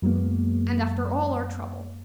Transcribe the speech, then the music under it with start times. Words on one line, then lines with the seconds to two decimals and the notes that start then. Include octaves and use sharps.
'And after all our trouble!
0.02 F#2 F#3 G#3 A#3 B3